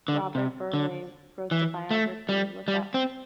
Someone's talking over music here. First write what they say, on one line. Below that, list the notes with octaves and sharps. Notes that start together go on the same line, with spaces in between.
Robert Burleigh wrote the biography Look Up!
D3
C3
D3
E3
A3
G3
G3
C4